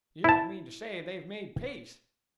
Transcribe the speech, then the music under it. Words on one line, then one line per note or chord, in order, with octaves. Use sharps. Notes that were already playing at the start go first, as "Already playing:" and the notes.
"You don't mean to say they've made peace?"
E4 A5